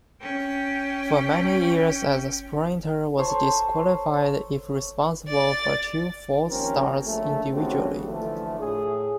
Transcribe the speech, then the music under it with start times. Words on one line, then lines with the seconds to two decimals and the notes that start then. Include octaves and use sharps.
For many years a sprinter was disqualified if responsible for two false starts individually.
0.22 C#4 G5
3.18 A4 C5 C#5 A#5
5.28 D5 A6
6.49 D#2 F3 C4 C#4 A#4
7.06 A#1 C#3 A3
7.52 D#2 C#3 C4 D4 F#4
8.06 D3 E3 F3 A3
8.60 A2 G#4